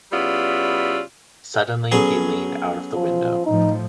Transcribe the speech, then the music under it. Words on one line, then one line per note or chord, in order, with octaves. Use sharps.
Suddenly he leaned out of the window.
C#3 G3 B3 E4 F4 D5
F#3 B3 C#4 G#4 A4
F3
A2 F3 D#4